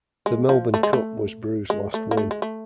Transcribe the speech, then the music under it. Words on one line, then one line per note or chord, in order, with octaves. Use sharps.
The Melbourne Cup was Brew's last win.
G#3
F3
A3
G#3
A3
G#3
A3
A#3
A3
G#3
A3